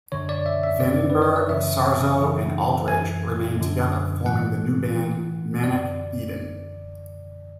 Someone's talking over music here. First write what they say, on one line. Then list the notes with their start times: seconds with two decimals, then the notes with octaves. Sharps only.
Vandenberg, Sarzo, and Aldridge remained together, forming the new band Manic Eden.
0.12 F#2 D3 C#5
0.29 D5
0.46 E5
0.63 E5
0.80 F#2 D3 D5
1.10 B4
1.22 C#5
1.36 D5
1.49 F#2 C#3 E3 E5
2.18 F#2 C#3 E3
2.88 F#2 E3 G#5
3.57 F#2 D3
4.25 G#2 E3 F#5
4.95 A2 E3
5.63 F#2 D3 D5